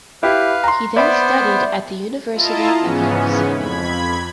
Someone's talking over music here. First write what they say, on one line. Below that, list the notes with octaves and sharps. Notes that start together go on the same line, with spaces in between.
He then studied at the University of Leipzig.
E4 G4 B4 F5
A#5 C6
B3 C5 D5 E5 B5
E4 F4 D#5 A5 A#5
G#2 C#3 E3 B3 C#4
F2 B5 G#6